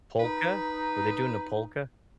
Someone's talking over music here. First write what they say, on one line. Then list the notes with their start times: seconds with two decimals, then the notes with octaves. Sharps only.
Polka? Were they doing the polka?
0.19 D#4 B4